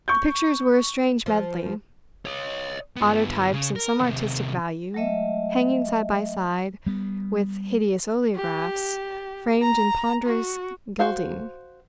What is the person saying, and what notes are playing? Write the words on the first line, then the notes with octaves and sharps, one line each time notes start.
The pictures were a strange medley--autotypes of some artistic value hanging side by side with hideous oleographs framed in ponderous gilding.
C#6 G6
F3
C#5 D#5
G2 B3
C#3
A#4
C3 D#3
F#3 G#3 A3 D#5 E5
G3 B3
G4
A#5
F#4
F#4 C5 F5